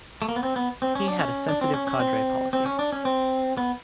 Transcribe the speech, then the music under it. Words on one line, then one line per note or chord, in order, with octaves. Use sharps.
He had a sensitive cadre policy.
A3
A#3
B3
C4
B3
C4
C#4
D4
C#4
D4
C4
C#4
C#4
C4
C4
C#4
D4
C#4
C4
B3